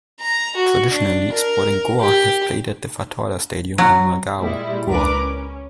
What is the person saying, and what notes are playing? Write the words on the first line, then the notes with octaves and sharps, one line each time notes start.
Traditionally, Sporting Goa have played at the Fatorda Stadium in Margao, Goa.
A#5
F#4
D4
A#4
G4
F#3
A#2 G3 G#3 E4
C#2 D4 A#4 B4 D6
C#4